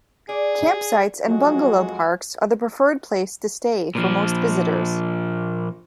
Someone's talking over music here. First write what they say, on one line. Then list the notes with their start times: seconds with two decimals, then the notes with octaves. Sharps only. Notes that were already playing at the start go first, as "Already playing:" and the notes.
Campsites and bungalow parks are the preferred place to stay for most visitors.
0.29 G#4 D5
1.27 F2 F#3 G#3 F#4
3.95 A#2 F3